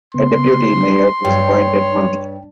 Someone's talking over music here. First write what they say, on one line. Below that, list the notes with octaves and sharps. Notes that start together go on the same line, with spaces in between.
A deputy mayor is appointed monthly.
C#3 B3 C6
G2 C#5 G5